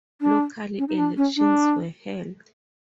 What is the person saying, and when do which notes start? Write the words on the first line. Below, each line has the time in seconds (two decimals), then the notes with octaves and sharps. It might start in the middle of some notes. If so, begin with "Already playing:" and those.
Local elections were held.
0.21 D4
0.78 C#4
0.88 D#4
0.98 D4
1.17 C#4
1.36 D4